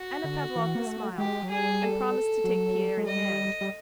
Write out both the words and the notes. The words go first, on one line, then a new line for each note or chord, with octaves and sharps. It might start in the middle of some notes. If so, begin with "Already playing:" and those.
Anna Pavlovna smiled and promised to take Pierre in hand.
Already playing: F#4
D3
E3
A#3
A3
G#3 G4
F#3
G3 G#4
A4
F#3
G#3
G3 D#5
G3